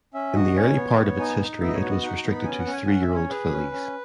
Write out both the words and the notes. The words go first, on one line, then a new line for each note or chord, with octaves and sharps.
In the early part of its history it was restricted to three-year-old fillies.
C#4 E5
F#4 D#5
C#4 C#5
B3
B3
D#4 G#5
D#4
B3 E5
D#5
C#5
F#4
D#5
D#4 F#5
A#5
B3
B5
F#5
C#4 G#5
F#5
C#4
G#5
C#4 F#5
E5
C#4
C#5
G#4 B4
C#4
C#4